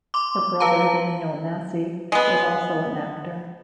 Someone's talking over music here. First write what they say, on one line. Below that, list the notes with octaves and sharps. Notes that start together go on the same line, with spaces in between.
Her brother Daniel Massey was also an actor.
C6 D6
B4 F5 A5 A#5
G#3 B3